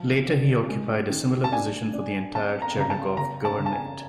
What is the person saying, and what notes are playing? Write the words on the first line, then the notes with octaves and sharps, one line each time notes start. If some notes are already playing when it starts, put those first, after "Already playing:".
Later he occupied a similar position for the entire Chernigov Governorate.
Already playing: F3 F#3 A5
D4
G#3
D#3
A5
D4 G#5
D4
C4 A5
A#5
C#3 A#5
A5
C#3 A#5
A5
C#3
A5
G#5